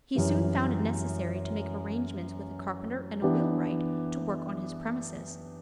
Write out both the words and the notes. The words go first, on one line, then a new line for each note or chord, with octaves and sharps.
He soon found it necessary to make arrangement with a carpenter and wheelwright to work on his premises.
F#2 E3 G3
E3 B3 D4 G4